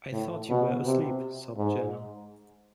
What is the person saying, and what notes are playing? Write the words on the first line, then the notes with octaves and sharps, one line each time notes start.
"I thought you were asleep," sobbed Jenna.
A2
B2
C3
G#2